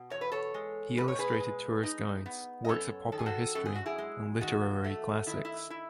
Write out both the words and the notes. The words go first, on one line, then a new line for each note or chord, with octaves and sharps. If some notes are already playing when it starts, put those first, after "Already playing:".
He illustrated tourist guides, works of popular history, and literary classics.
Already playing: B2
E2 C#5
B4
A4 C#5
G#3
B2 B4
C#5
G#4 B4
G#3
D#4
B3
D#5
F#2 A4 C#5
D#3 A4
G#4
F#4 A4
F#2 A4
G#4
F#4
E4 G#4
G#3
D#3 F#4
A3
D#3 E4
E4
E4